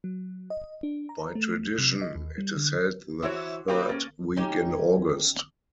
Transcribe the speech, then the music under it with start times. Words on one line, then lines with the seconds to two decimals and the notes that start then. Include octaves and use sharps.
By tradition it is held the third week in August.
0.04 F#3
0.50 D#5
0.83 D4
1.09 A#5
1.35 A3
1.78 C3
2.01 D#5
2.15 D#2
2.38 G3
2.57 D3
3.23 E3 E4 F#4 C5 C#5
3.68 A#3 D4 F#4 G4 B4 F5
3.89 A#3 C#4 A6
4.36 C#4 D#4 G4